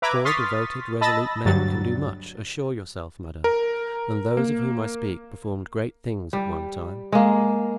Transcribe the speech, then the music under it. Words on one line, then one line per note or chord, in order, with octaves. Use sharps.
"Four devoted, resolute men can do much, assure yourself, madame; and those of whom I speak performed great things at one time."
B4 E5 A#5 B5 D6 G#6
C6 C#6 D#6 F6 A6 B6
D#5 A5 B5 E6 A6 A#6
D2 G2 F#3 G3 A6
A#4
A#3
G3
G#3 A#3